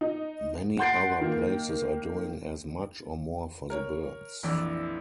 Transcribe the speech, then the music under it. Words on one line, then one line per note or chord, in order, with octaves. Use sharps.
Many other places are doing as much or more for the birds.
D#4
F#5 C6 G6 A6 C7 D7
D#3 A#3
A#4 C#5
A#1 F2 E3 D5